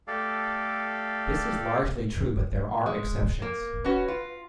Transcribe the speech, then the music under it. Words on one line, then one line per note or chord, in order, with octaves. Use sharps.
This is largely true, but there are exceptions.
A3 G4 A4 D5 F5
G#3
A#3
C#4 F#4 B4
F4